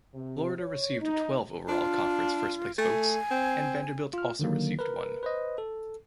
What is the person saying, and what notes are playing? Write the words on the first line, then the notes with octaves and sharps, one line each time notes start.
Florida received twelve overall conference first place votes and Vanderbilt also received one.
C3
C#5
D#4
D4 F4
A3 G#5
C4
F4 F6
D3 D#3 F#3 A#3
A#4 B4
B4 C5 D#5
A4